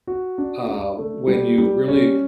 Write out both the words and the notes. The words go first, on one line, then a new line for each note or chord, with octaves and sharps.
uh, when you really
F#4
D4
D4
A3
G3
G3
C#4